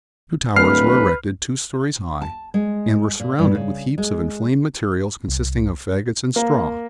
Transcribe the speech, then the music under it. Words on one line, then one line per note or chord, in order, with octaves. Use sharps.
Two towers were erected two stories high, and were surrounded with heaps of inflamed materials consisting of fagots and straw.
D1 B4 F6 C7
A5
G#3
A#2
G2
C#3
G#3
C2
A#3